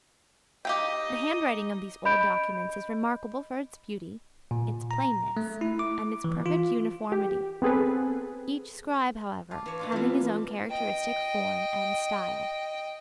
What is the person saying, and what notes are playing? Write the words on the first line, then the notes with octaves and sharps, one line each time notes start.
The handwriting of these old documents is remarkable for its beauty, its plainness, and its perfect uniformity; each scribe, however, having his own characteristic form and style.
D#4 G4 D#5 F5 G5
D#5 B5 G6 D7
A#2
A#5
A3
E4
D6
E3
F4
G4
B3 C4 G#4 A4 B4
F4 A5 D6
E3 C#5
B2 D4 F4
E3 G3 C4 E4 F4
A#3 F4 B4
D#5 G5